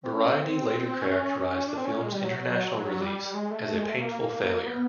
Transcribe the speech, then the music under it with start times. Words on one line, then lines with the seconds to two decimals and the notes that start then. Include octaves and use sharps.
"Variety" later characterized the film's international release as "a painful failure".
0.03 C4
0.13 C#4
0.26 C#4
0.35 C4
1.02 C#4
1.68 D4
1.78 C4
1.85 C#4
2.02 G#3
2.13 G3
2.24 F#3
3.01 G3
3.34 G#3
3.51 A3
3.77 G#3
3.89 A3
4.00 A#3
4.67 B3